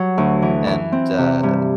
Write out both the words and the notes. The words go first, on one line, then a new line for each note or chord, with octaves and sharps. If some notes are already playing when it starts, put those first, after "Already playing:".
And, uh
Already playing: F#3
D2
E3
E3
C4
C3
G2